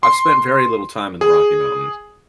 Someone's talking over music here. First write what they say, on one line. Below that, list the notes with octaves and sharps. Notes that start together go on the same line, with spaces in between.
I've spent very little time in the Rocky Mountains.
C6
G#4